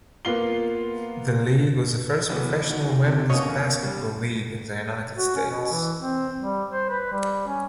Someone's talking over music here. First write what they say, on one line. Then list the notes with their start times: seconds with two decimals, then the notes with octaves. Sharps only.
The league was the first professional women's basketball league in the United States.
0.25 A#3 B3 F4 C7 G7
2.29 A1 F#3 B3
2.69 D#4 F#4
3.06 C3
3.30 B2 A#3 C#4 C#5 D#5
3.49 D#2
3.82 G3
5.18 F#4
5.35 C#4
5.50 B2
5.72 E3
5.99 C4
6.41 G3
6.71 C5
6.89 B4
7.12 G3
7.47 C#4